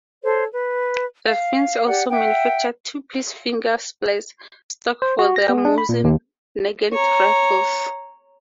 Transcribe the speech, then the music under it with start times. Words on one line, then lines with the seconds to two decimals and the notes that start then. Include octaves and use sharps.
The Finns also manufactured two-piece "finger splice" stocks for their Mosin-Nagant rifles.
0.22 A4 C5 C#5
0.53 B4
1.25 F5
1.88 G4 D5 F#5
2.10 E5 F#5 G5
5.02 C5
5.19 F#4
5.36 A#6
5.49 B3
5.65 D4
5.78 B5
5.89 A#2
6.04 D#2
6.93 C#5 A#5